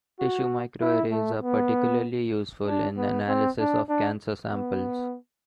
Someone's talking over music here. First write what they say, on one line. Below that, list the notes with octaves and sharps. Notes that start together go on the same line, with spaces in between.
Tissue microarrays are particularly useful in analysis of cancer samples.
F#4
E4
A3
B3
D4
B3
C4
D4
D4
B3